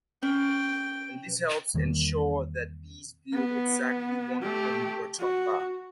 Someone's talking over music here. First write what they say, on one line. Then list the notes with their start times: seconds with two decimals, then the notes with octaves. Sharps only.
This helps ensure that bees build exactly one comb per top bar.
0.23 C#4 G5
1.74 E2 D#3 G3 A#3
3.34 B3
4.42 A3 G4
5.20 F#4